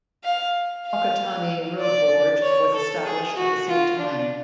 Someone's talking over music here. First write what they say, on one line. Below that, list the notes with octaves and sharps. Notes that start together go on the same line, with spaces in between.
Whakatane Road Board was established at the same time.
F5
F5
D5
C#5
A4
G#4
F#4
F4
D4